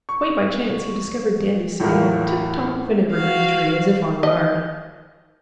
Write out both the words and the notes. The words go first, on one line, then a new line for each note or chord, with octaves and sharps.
Quite by chance he discovered Dandy sitting on the tiptop of an evergreen tree, as if on guard.
C#6
E2 A2 A3 F4 A#4
F#4 F5
D#5